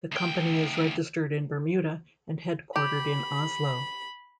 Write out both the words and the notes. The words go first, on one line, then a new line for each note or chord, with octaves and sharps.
The company is registered in Bermuda and headquartered in Oslo.
D2 G5
G4 B5